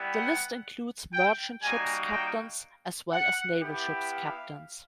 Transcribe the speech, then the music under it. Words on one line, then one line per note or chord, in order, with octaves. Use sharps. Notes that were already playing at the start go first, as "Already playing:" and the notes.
The list includes merchant ship's captains as well as naval ship's captains.
Already playing: G3 B3 E4
F#5
G5
G3 A#3 D#4 F#4 G#5
G5
F#5
B3 E4 G4
F5